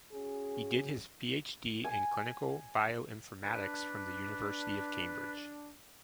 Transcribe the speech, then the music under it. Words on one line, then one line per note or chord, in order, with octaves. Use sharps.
He did his PhD in clinical bioinformatics from the University of Cambridge.
C#4 F#4 G#4
G#5
D4 B4